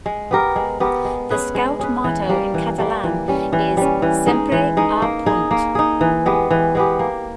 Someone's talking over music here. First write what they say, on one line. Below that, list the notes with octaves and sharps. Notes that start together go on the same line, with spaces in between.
The Scout motto in Catalan is "Sempre a punt".
G#3
B3 G4 A#4
G#3
B3 G4 A#4
G#3
C#4 G#4 B4
G#3
C#4 G#4 B4
E3
G3 A#3
E3
G3 A#3
E3
G3 C#4
E3
G3 C#4
E3
G#3 D#4
E3
G#3 D#4
A#3
D#4 G#4
A#3
D#4 G#4
E3
G#3 B3 G4
E3
G#3 B3 G4
A#3